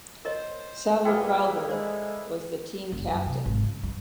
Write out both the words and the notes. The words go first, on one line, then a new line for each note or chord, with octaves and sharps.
Saville Crowther was the team captain.
A#4 C5 C#5 D#5
A#2 A#3 B3 E4 G#4 D#5 G5
G#3 A4 C5 D5
F#1
F#2
C3
G#1
C#3
G2